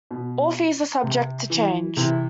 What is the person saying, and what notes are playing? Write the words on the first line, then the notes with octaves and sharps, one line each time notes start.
All fees are subject to change.
B2
C3
E3
C3 E3 E4